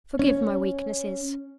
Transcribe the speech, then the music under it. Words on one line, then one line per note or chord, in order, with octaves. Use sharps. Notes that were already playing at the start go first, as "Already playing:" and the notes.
Forgive my weaknesses.
C#4